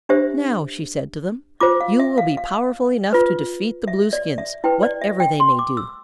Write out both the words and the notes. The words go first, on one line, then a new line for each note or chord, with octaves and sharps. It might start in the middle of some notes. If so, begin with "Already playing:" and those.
"Now," she said to them, "you will be powerful enough to defeat the Blueskins, whatever they may do."
D4 G4 C5 E5
F4 C5 D6
F5
E5
F5
F5
F4 B4
E5
D5
E5
E4 B4 G5
D5
E5
G5
C6
D6
E6